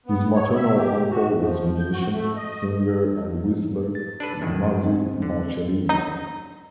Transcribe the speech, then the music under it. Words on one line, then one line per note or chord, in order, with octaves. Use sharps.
His maternal uncle was musician, singer, and whistler Muzzy Marcellino.
B3
C#5
E5
G4
F#4
F3
G6
F#4
A3
D#5
A6
D4 A4 B4
F#2 A2 D#3
C4
D3
D#4